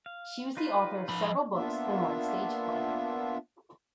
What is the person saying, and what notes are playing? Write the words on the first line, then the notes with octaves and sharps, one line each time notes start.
She was the author of several books and one stage play.
F5
D#4 F4 B4
F3 B5
A#3 B3 D4 F4 E5